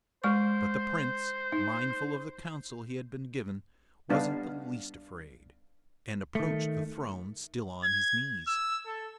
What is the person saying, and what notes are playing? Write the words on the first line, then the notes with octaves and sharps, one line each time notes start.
But the Prince, mindful of the counsel he had been given, wasn't the least afraid, and approached the throne still on his knees.
G#3 C5 C#6
D#4
G3 B3 D4 D#4 F5
D#3 A3
G#6
E6
A4